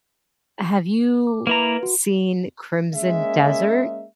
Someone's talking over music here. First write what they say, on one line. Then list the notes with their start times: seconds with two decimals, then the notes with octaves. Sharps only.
have you seen Crimson Desert?
1.27 D6
1.47 A#3 E4 B4 A#5 D7
1.83 F#4
2.94 G#3 A#3 C#4 E5